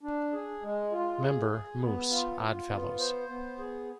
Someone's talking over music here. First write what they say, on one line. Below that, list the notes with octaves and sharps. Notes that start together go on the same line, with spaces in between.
Member, Moose; Odd Fellows.
D4
G#4
G#3
F4
G#4
G#4
B3
F4
F4
B3
C5
B3
G#4